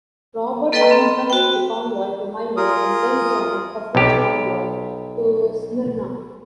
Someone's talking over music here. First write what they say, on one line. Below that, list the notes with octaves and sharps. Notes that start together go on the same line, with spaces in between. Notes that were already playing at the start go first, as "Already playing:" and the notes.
"Robert" accompanied the convoy to Milo and then joined a French convoy to Smyrna.
A#3 A4 B4 D#5 G5 A#5
C4 B5
F#4 G5
F4 G#4 A#4 D#6
B1 G4